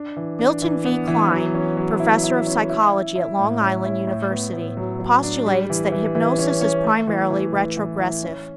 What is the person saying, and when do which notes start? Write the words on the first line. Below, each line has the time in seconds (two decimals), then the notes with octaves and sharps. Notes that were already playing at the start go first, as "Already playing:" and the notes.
Milton V. Kline, professor of psychology at Long Island University, postulates that hypnosis is primarily retrogressive.
Already playing: D4
0.17 E3
0.39 D4
0.62 E3
0.85 B3
1.08 E3
1.32 F#3
1.54 C#4
1.77 F#3
2.00 E4
2.24 E4
2.46 C#4
2.69 E4
2.92 E4
3.15 E4
3.39 A2
3.61 C#4
3.85 E4
4.07 A2
4.31 B3
4.53 A2
4.77 F#3
5.00 F#3
5.23 D4
5.46 G3
5.70 E3
5.92 E3
6.15 E3
6.39 C#4
6.61 C#4
6.84 A3
7.07 E3
7.31 E3
7.53 E3
7.77 E3
7.99 E4
8.23 C#4